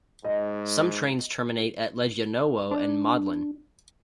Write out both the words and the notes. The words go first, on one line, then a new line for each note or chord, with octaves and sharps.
Some trains terminate at Legionowo and Modlin.
G#2 D#5
D4